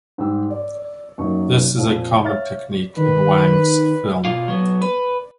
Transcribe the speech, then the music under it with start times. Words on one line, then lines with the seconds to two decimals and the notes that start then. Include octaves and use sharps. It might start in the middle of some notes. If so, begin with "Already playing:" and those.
This is a common technique in Wang's film.
0.18 G#2 G3 G5 E6
0.50 D5
1.18 F#2 F#3 A#3 D#4 C#6
1.76 F2 A#2
2.23 C#5 E5 F5 F6 A6
2.97 D#3 B4
4.25 B2 F4 F5
4.48 F#3 B3
4.82 B4